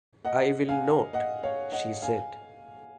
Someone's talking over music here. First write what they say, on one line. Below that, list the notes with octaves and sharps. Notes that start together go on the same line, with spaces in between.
"I will not," she said.
D#5 F#5
F5 G#5
D#5 F#5
C#5 F5
D#5 F#5
F5 G#5